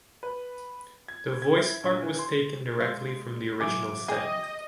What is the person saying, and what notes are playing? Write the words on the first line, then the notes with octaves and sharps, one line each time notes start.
The voice part was taken directly from the original set.
B4
G#6
G#6
E4
A#1
E3
C6
G#3 F4
C#3 E3 F#3 G#4 D6
G#4 D#5 G5